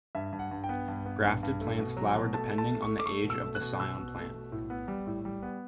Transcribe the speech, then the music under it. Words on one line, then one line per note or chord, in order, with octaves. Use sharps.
Grafted plants flower depending on the age of the scion plant.
G2 E5
G2
F#5
G2
G5
B3
G2
B3
G2
G2
A3
B2
F#3
B2
A3 A5
A3
A5
A3
C#6
A3
D6
A3 C#6
B2
E6
A3
F#6
B2
B2 E6
B2
A3
B2
A2
B3
G3
A2
G3
B3